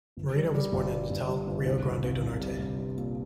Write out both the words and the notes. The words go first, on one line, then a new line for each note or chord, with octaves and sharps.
Marinho was born in Natal, Rio Grande do Norte.
G1
G3
G3
G1
G3
G1
G3
G1
C2
C2
C2
C2
G3
C2
G3
A#2